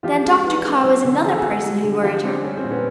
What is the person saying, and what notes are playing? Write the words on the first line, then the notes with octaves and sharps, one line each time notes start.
Then Dr. Carr was another person who worried her.
F3 F4 G4
G#3
E3
G#3
F#3
D3
F3 G#4
A4
F#4 G#4
G#3
G3
D3
G#4
F3 F4 G4
G#3 C4 D4
G3 C#4
C4
A#2
B3 C#4